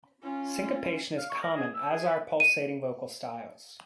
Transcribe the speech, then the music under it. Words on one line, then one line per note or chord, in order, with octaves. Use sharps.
Syncopation is common, as are pulsating vocal styles.
C#4 F4
F5
C#6
A#4
G#4
E6
G#4
B4
D#7